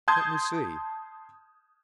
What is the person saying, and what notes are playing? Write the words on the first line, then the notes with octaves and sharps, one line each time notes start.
"Let me see?"
A5 C6 D#6 G6 G#6